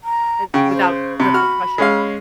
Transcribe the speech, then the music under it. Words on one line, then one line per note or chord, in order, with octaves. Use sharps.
uh, without repercussion
A#5
C#3 G5
C5
C3 B5
F#4 F6
G#3 C#4 F5